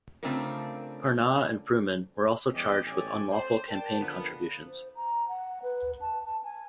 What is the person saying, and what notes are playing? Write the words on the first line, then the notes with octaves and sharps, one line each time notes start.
Parnas and Fruman were also charged with unlawful campaign contributions.
C#3 A3 C4 D4 F4 A#4
E2 G3 C#4 G4 D5 D#5
A1 C#4 G4 A4 D5 G#5
C5
A#4 D5 G5 A5
D3 F3 A#3 B3
C5
A#5
F#5
B4
A5
A5
G#5